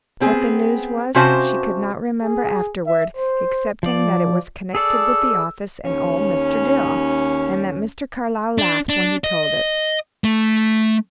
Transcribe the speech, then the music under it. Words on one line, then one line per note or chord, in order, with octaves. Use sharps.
What the news was, she could not remember afterward, excepting that it was connected with the office and old Mr. Dill, and that Mr. Carlyle laughed when he told it.
B3 C4 G#4
C3 C#4 F#4 C5 F5 A5
G#4
E5
C5
F3 D5
G#4 A4 D5 E6
D#2 C#4
D4
D4
D#5
A3